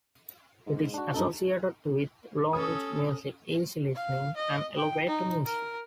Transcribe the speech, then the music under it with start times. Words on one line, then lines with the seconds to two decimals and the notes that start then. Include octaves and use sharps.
It is associated with lounge music, easy-listening, and elevator music.
0.66 G#2
0.94 D4 F#4
1.14 F#1 G2 D#4 A4
2.53 C#4 A4 D#6
3.95 F5
4.37 D#5
4.77 G5
5.07 D#4
5.45 A#4